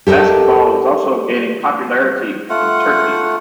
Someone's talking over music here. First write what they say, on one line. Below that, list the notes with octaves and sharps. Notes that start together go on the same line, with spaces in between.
Basketball is also gaining popularity in Turkey.
G4 A4 A#4 D#5
A3 F4 F#5